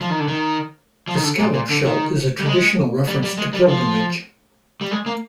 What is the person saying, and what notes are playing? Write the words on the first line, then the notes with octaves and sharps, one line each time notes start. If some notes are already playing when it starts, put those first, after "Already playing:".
The scallop shell is a traditional reference to pilgrimage.
F3
D#3
D3
D#3
F3
D#3
D3
A#2
A#2
D3
D#3
G3
G#3
G3
G3
G#3
G3
F3
G3
G#3
A#3